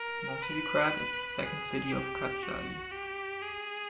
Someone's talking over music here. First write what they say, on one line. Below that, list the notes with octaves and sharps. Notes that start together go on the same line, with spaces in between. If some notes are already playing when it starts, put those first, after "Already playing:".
Momčilgrad is the second city of Kărdžali.
Already playing: A#4
B4
G#4
G4
F#4
G4
G#4